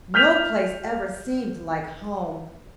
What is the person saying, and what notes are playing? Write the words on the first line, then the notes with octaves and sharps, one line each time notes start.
No place ever seemed like home.
F6 G6 B6 F7